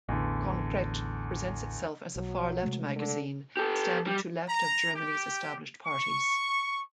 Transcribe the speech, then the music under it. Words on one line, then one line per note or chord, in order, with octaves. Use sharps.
"Konkret" presents itself as a far-left magazine, standing to left of Germany's established parties.
A1 E2 D3
B1 F#3
C3 G#3 A3
D3
G4 A4
G3
A#5
G4
C#6